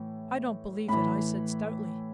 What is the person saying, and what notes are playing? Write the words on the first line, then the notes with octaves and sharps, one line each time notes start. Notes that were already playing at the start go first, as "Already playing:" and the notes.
"I don't believe it," I said stoutly.
Already playing: A2 E3
A2 E3 B5